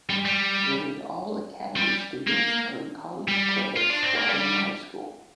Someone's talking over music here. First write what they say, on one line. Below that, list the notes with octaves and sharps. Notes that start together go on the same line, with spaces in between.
Nearly all Academy students earn college credits while in high school.
G3
G3
G3
A#3
G3
F4
D4
C4
A#3
G3